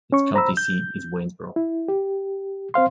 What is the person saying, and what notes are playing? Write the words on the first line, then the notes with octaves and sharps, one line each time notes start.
Its county seat is Waynesboro.
C#4 C#6
C5 A#5 B5 E6
G6
E4
G4
C4 C5 F5 C6